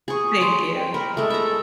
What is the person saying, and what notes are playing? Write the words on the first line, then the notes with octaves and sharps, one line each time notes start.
Thank you.
G#4 C#6
D5 C6
G5
A#4 B5
G#3 A3 A4
E5 A#5